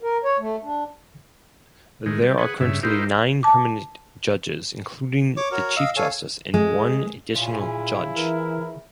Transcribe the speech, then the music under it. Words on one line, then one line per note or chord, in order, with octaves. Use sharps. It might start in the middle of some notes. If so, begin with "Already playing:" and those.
There are currently nine permanent judges including the Chief Justice and one additional judge.
A#4
C#5
A3
D4
A2 D#3 G#3
G3
G#4 B4 F#5
G2 C#3 E5
D#4 E4 G4 A#4 C5
A5 D6
C#5 D6
F#4 A#4 C#5
D#5 F5 E6
A4 C#5 F5 G#5
G#3
A#2 C#4 E4 F4 G#4
E3 A#4